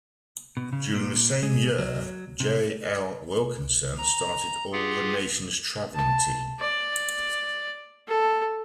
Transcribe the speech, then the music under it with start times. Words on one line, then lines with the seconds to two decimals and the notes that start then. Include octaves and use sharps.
During the same year, J. L. Wilkinson started the All Nations traveling team.
0.57 B2
0.73 C#3
0.94 A#2
1.43 G#3
1.78 F#3
2.40 C3
3.98 A#5
4.73 F4 G4 G#4 F#5
5.95 A5
6.60 D5
8.08 A4